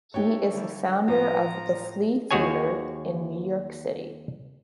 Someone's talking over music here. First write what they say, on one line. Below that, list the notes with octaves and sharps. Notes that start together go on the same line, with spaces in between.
He is the founder of The Flea Theater in New York City.
A3 D4 D#4 G4 C#5
D3 G3 A#3
A2 F3 F4 A#5
D#2 F#4 G#4 C#5 G#5